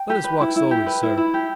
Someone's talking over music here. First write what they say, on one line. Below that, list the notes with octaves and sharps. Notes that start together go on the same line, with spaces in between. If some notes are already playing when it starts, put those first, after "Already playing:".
Let us walk slowly, sir.
Already playing: G5
G4
B4
E4
E4
G4
B4
E4
E4
G4